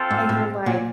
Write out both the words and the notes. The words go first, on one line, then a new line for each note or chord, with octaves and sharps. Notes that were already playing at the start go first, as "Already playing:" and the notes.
and you're, like,
Already playing: C4 F4 A4 C5
G#2
A2
A#2